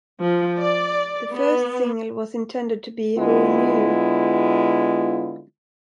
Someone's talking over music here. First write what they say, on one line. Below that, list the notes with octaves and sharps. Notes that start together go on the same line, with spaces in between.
The first single was intended to be Who Knew.
F3
D5
B3
D3 G#3 B3 E4 F4